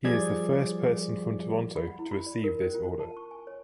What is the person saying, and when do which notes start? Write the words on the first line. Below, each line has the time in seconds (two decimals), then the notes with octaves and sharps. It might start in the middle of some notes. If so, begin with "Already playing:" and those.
He is the first person from Toronto to receive this order.
0.04 F3 G3 G#4 D5 G#6
1.76 B5
1.87 F#5
1.99 E4
2.12 B5
2.26 D5
2.44 A#4
2.61 C#4
2.75 F4
3.00 A5
3.17 C#6
3.31 G#5
3.47 C#5